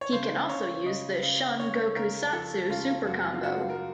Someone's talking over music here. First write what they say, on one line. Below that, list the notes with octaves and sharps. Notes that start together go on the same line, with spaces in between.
He can also use the "Shun Goku Satsu" Super Combo.
C#5
C#3 C5
C#3 C#5
C#3 D#5
C#3
C#3 C#5
C#3 A#4
F3 A4
C#3 F4
F#2 F#4
F4
C#3 F#4
A#4